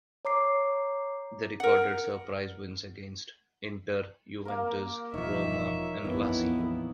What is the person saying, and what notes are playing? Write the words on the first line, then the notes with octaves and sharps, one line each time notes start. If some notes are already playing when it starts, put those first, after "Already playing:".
They recorded surprise wins against Inter, Juventus, Roma and Lazio.
C#5 A#5 D6 C7
A#4 F#5
A#3 A#4
E1 F3 D#4 C#5 E5
A#1 F2 E3 B3 E4 D#5